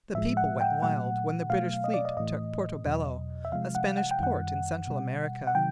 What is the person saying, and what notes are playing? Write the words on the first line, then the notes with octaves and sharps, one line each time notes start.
The people went wild when the British fleet took Porto Bello, a Spanish port in Central America.
A2 F3 G#3 E5
F#5
G5
A#2 F#3 A3 F#5
B2 F#3 A3 F5
D#5
D5
D#5
A2 E3 A3 D#5
E2 B2 F#3
E5
C3 F3 G#3 F5
F#5
F#5
G5
F#2 D#3 G3 F#5
B2 G3
F#5
C3 D#3 F#3 G5